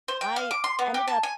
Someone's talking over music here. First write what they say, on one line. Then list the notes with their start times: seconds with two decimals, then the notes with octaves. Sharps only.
I ended up
0.08 C5
0.21 G5
0.36 F5
0.51 D6
0.64 C6
0.79 B3
0.94 G4
1.08 A5
1.23 G#5